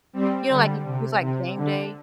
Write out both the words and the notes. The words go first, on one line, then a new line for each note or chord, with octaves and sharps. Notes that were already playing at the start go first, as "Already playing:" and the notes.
you know, like, if it's, like, game day.
G3 C4
D3 G3
C3
C3
D3